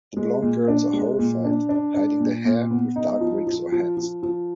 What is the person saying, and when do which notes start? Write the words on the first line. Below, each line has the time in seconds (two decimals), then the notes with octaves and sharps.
The blonde girls are horrified; hiding their hair with dark wigs or hats.
0.17 G#3
0.42 A#2
0.68 D4
0.93 G#3
1.19 A#2
1.44 D4
1.69 D4
1.94 D4
2.20 A#2
2.45 A#2
2.70 B3
2.96 D#4
3.21 F3
3.47 F3
3.72 F3
3.97 F3
4.23 F3